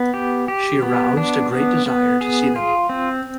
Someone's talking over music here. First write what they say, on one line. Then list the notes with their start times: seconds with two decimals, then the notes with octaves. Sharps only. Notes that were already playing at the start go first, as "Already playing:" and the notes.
She aroused a great desire to see them.
Already playing: B3
0.14 G4
0.48 G4
0.82 B3
1.17 D4
1.52 B3
1.86 B3
2.21 G#4
2.56 F4
2.89 C4